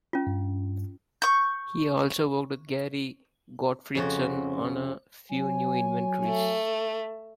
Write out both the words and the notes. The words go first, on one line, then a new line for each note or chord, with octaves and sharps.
He also worked with Gary Gottfredson on a few new inventories.
C#4 F4
G2
C#6 G6
F2 C#3 F#4
F#3 C#5 G#5
A3